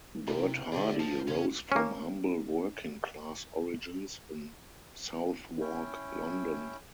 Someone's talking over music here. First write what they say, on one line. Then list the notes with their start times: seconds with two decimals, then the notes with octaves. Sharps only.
Bert Hardy rose from humble working class origins in Southwark, London.
0.27 C3 E4
0.72 D3 G4 G#4 D5 E5
0.99 F3 C5 A5
1.28 F2 C#3 C#4
1.72 A#3 C#4
5.61 C#4 E4 G5